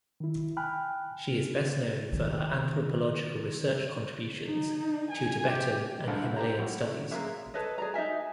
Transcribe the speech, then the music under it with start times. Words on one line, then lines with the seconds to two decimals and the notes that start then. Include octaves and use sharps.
She is best known for her anthropological research contributions to Tibetan and Himalayan Studies.
0.20 D#3 E4
0.57 G5 G#5 B5 F6 F#6
1.30 C#3
2.12 C3 D#3
4.45 D#4
5.11 G#5
5.48 G4
6.08 C2 G2 D3 F3
6.22 E4
6.36 G4 C5 A#5
6.59 B1
6.81 A3
7.11 C#3 F#3 G#3 A#3 E5
7.54 A4 B4 C#5 D#5
7.78 G#4 D5 A#5
7.94 D#4 D#5 E5 G#5